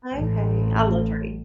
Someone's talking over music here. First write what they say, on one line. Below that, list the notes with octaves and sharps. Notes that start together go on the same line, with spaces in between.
Okay. I love to read.
A1